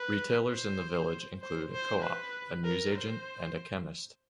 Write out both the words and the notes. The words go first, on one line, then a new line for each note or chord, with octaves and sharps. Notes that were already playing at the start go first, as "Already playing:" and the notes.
Retailers in the village include a Co-op, a newsagent, and a chemist.
Already playing: B4
C5
C5
C5
B4
A#4
C5